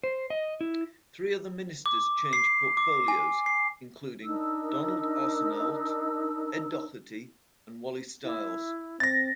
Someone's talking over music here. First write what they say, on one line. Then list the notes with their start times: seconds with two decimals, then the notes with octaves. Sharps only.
Three other ministers changed portfolios, including: Donald Arseneault, Ed Doherty and Wally Stiles.
0.04 C5
0.30 D#5
0.61 E4
1.86 D6
2.33 C7
2.77 D6
3.08 G#5
3.46 C7
4.23 D4 D#4 A#4 E6
8.24 E4
9.00 C4 A6 A#6